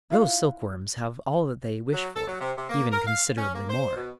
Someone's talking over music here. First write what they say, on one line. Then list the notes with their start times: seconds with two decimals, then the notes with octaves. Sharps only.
Those silkworms have all that they wish for,--even considerably more.
0.10 E4 F4 F5 F#5
1.92 F#3
2.15 A4
2.27 F#3
2.40 C3
2.58 C3
2.69 A#3
2.92 A#4
3.07 F5
3.37 C#4
3.55 A#3
3.69 C5
3.96 B2